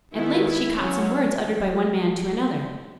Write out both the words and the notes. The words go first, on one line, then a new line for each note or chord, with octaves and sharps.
At length she caught some words uttered by one man to another.
D#3 G#3 B3 E4
E4
F#3 C#4